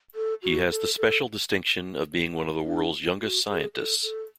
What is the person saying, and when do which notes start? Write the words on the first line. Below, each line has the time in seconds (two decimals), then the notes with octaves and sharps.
He has the special distinction of being one of the world's youngest scientists.
0.15 A4
0.43 F#4
0.70 A4
0.97 A4
2.65 D4
3.20 F#4
3.48 G#4
3.75 A4
4.03 A4